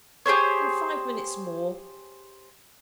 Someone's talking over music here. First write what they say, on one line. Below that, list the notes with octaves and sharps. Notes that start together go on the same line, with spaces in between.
'In five minutes more--.
G4 G#4 C5 C#5